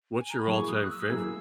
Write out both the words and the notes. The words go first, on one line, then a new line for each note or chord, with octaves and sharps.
What's your all-time favorite?
G#5
A#5
B5
F#3 A#3 E4 G#4 C#6
D#6
F#6
E6
F#3 A#3 E4 G#4